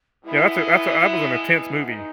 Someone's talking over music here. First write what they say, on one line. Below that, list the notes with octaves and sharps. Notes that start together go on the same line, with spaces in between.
Yeah. That's a that's a that was an intense movie.
B2 G#3 B3 E4
D#4